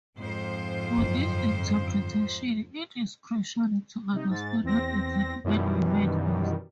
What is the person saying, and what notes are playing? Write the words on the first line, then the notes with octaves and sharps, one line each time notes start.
For this interpretation, it is crucial to understand what exactly an event is.
F2 G#2 C5
F#2 D3
C3 D#4
G#2 A6
E2 C4 A#6
F#2 B2 D#3 E3 G3